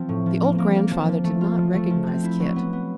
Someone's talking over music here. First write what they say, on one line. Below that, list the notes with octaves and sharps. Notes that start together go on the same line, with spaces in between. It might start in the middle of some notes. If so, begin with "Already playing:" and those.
The old grandfather did not recognize Kit.
Already playing: F3 C4
A2
F3
A#3
A#3
A#3
F3
F3
A3
F4
F3
A3
F3
C4
E4
F#3
B3
B3